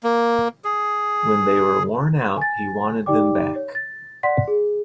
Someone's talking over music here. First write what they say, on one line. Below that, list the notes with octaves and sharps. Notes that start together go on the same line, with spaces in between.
When they were worn out, he wanted them back.
A#3
G#4
G#5 A6
D#4 G4 D5 G5 D6
C#5
A6
D5 F#5 C6 B6
G#4